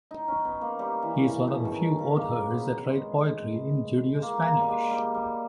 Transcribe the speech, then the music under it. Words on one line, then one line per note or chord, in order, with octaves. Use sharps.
He is one of the few authors that write poetry in Judeo-Spanish.
D#4
C#4
B3
A#3
G3
E3
C#3
B2
D#3
D#3
C#3
A#3
B3
G#3
G#3 A#3
A#3
G3
G#3
G3
G3